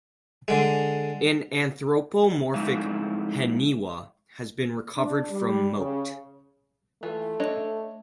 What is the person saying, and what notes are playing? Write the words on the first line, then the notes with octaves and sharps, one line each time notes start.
An anthropomorphic "haniwa" has been recovered from moat.
D3 G#3
F2 A2 G#3 D#4 E5 F5
D4
G3
C#3
E3 A3 F4
D4 C#5 D#5